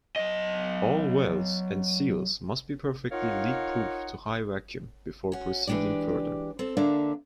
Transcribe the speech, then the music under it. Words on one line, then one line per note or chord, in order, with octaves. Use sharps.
All welds and seals must be perfectly leak-proof to high vacuum before proceeding further.
F#3 D#5
D#4 F4 A#4 C#5 F5 F#5
C#4 F#4
E3 G#3 D4 G4 D5
C4 A4
D3 A#3 D4 D5 E5 F5